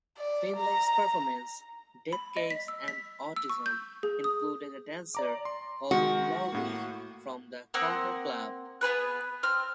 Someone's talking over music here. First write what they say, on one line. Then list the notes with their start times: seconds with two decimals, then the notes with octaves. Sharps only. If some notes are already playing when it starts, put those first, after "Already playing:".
Finley's performance "Deathcakes and Autism" included a dancer, called "Laurie", from the Condor Club.
0.18 D5
0.57 A#5
2.13 B5
2.37 D#5
2.50 B6
2.68 E6
2.88 B6
3.36 E6
3.50 C#6
3.66 G6
4.03 G#4
4.24 D#6
5.15 D5 A#5 D6
5.45 C6
5.91 D#3 G#3 F#4
6.52 A2 A#3
7.74 A#3 C4 F#5 D#6
8.81 B3 G#4 B4 F#6
9.43 C4 F6